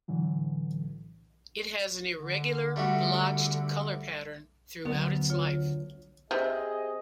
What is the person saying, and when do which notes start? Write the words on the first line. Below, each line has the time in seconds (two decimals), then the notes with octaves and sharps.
It has an irregular, blotched color pattern throughout its life.
0.08 A2 D3 E3 F#3
2.13 D3
2.76 G3 A3 F#4
4.85 D2 F#3 B3
5.30 F4 C#5
6.31 C3 G#4 D#5